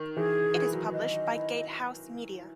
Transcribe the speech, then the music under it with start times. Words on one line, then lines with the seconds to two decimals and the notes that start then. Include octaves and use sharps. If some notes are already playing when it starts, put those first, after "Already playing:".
It is published by GateHouse Media.
Already playing: D#3
0.17 E3 G#4
0.54 E3 B4
0.73 F#3
0.92 D#5
1.30 E4